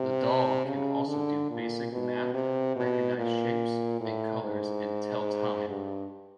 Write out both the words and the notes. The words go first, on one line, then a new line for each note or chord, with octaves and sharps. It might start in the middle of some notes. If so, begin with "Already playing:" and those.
The doll can also do basic math, recognize shapes and colors, and tell time.
Already playing: C3
C#3
D3
A#2
B2
C3
B2
A#2
A2
G#2
G2